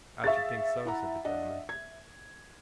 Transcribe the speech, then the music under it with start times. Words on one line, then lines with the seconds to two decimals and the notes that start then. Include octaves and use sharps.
'I should think so,' said the gentleman.
0.24 G#4 E5 F5 C#6 A6
0.85 E4 F#5 A#5
1.25 D4 D#5 F#5
1.69 G#6